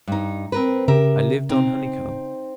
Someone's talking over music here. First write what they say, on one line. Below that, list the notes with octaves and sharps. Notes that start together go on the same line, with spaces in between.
I lived on honeycomb.
G2 D#4
C4 A#4 B4
C#3 G4 A#4 E5
C4 D#4